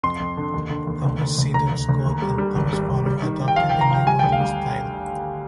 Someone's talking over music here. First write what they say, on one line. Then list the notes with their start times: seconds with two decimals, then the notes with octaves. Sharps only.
Thomas Seaton Scott and Thomas Fuller adopted the Neo-Gothic style.
0.03 F2 C6
0.20 F2
0.37 D3
0.54 D#2
0.70 D3
0.87 D#2
1.05 D2
1.21 D2
1.38 D2
1.54 D2 A#5
1.72 D2
1.89 D2
2.05 D#2
2.22 G3
2.38 G3
2.55 G#1
2.73 G3
2.89 G#1
3.06 G3
3.23 D#3
3.40 D#3
3.48 G5
3.56 F3 F5
3.69 G#1 G5
3.81 A#5
3.91 F3 G5
4.06 G3 G#5
4.19 D2 G5
4.32 F5
4.40 G3